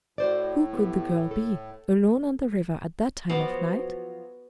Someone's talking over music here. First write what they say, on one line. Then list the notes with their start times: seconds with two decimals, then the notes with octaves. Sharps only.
Who could the girl be, alone on the river at that time of night?
0.18 A2 F#4 C5 D5
0.73 B3 G4
1.31 A4
3.29 F3 F#3 B3 F#4 D6